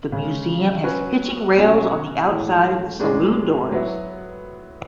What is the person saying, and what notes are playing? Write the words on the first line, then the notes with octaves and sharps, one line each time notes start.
The museum has hitching rails on the outside of the saloon doors.
C#3 G#3 C#4
F#3 C#4 F#4 B4
B2 F#3 C#4 F#4
A2 E3 G#3
A2 G#3 D4
F#3 B3 E4